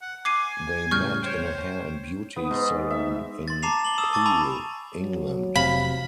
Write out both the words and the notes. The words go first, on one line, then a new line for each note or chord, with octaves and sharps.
They met in a hair and beauty salon in Poole, England.
F#5
G#5 D6 C7 D#7
A2 C#3 G3 C#6 F6 G6
C5 C#5 G5
B3
G#2
E5
C6 A6
A5 A#5 D6 C7 F7
F#7 G7
D#6 E6 E7
A5 C#6 D6 A6
G#5 A5 B5 D6
F#3
F1 C3 F5 B5